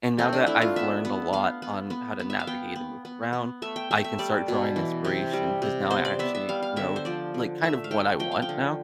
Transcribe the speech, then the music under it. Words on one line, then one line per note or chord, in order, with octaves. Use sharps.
And now that I've learned a lot on how to navigate and move around, I can start drawing inspiration, because now I actually know, like, kind of what I want now.
A3 C4
D4
A3 E4
F4
B3 E5
B3
B3 F5
B3
B3
B3
E5
F5
B3 G5
B3
B3
B3
A3 E5
G5
A3 E5
E5
G3 D5
B2
E3
C3
G3
C3
B3 C5
D5
B3 E5
E5
G3 F5
F5
D3 E5
C5
F3 D5
D3
A3 E5
F5
A3 G5
F3 G5
F5
G5
D3